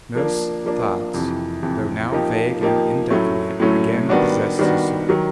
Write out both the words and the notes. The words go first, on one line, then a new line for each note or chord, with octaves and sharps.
And those thoughts, though now vague and indefinite, again possessed his soul.
F3 A#3 D4
F3 A#3 D4
F2 C3 E3
F2 C3 E3
F3 A#3 D#4 G4
F3 A#3 D#4 G4
A2 F#3 A3 C#4
A2 F#3 A3 C#4
D#3 G3 B3 D4 F#4
D#3 G3 B3 D4 F#4
D#3 F#3